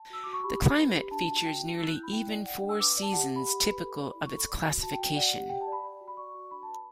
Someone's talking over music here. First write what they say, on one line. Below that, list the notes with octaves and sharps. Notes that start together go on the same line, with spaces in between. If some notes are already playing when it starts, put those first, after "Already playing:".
The climate features nearly even four seasons, typical of its classification.
Already playing: A5
F#4 E6
F#4 D6
C#6
G4 B5
D4
B4
G4
D4 A5
F#4
F#4 G5
G5
D4
A5
E4 E6
F#6
E4 G6
B5
E4 G5
D5
D5 F#5
G5
D4
E6
B4 D6
D5
A5
G4 F#5
G4
B5
G4 B5
B4
A4
D5
E4
C#6
A4 B5
D5
F#4
F#4 A5
G5
F#4
G5
D5 F#5
G4
G4 G5
A5
D5
B5
D5
F#4
B5
D5 C#6
F#4
D4 B5
A5
B4
B5